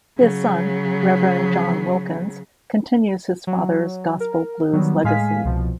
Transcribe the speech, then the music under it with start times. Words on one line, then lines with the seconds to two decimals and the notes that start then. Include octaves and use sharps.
His son, Reverend John Wilkins, continues his father's gospel blues legacy.
0.18 C#3 F#3
3.47 F#3
4.20 A#4
4.73 D#3 F#3 G3 B3
5.04 A2 G#3 F5 G#5 B6
5.44 C2 B2 F3